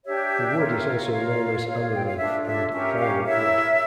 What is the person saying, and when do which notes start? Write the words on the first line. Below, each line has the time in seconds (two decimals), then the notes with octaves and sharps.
The wood is also known as amaranth and violet wood.
0.04 D4 G4 C#5 E5
0.58 F4 A#4 C#5
1.11 F4 A#4 C#5 F5
1.65 F4 C#5
1.94 G5
2.06 F5
2.18 D4 F4 A4 C#5 E5
2.46 E5
2.71 C#4 G4 A#4 E5
2.99 F5
3.26 E4 A#4 C#5 E5